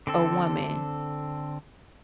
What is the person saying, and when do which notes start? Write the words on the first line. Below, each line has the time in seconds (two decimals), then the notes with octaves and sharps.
a woman
0.07 D3 C4 A4